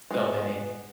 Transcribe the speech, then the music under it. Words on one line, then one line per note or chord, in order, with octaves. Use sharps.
So many.
G#3 B3 F4 C5